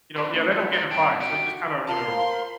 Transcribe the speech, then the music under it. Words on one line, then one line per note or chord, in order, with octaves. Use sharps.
you know yeah, they don't get in fights, they just kinda, you know,
E4 G4 B4 B5
A3 C#4 D#4 F#4 G#4
B3 F4
G2 D4 F4 C#5 D5 A#5
G2 C3 D4 D5 G5 A5
F#4 G4 D5 E5 F#5 G5
F4 A#4 C5 F5 A5 C6